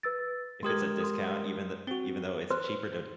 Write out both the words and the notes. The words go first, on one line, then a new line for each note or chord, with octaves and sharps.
if it's a discount, even th even though it's cheaper to
B4 E6 A6
G#3 G4 A#4 C6 D#6 G#6
C6 D#6
C4 F#4 G7
B4 C5 C6